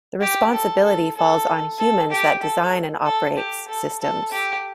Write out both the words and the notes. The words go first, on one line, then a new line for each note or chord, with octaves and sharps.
The responsibility falls on humans that design and operates systems.
G4
A4
A4
A4
A4
G4
A4
A4
G4
A4
A4
G4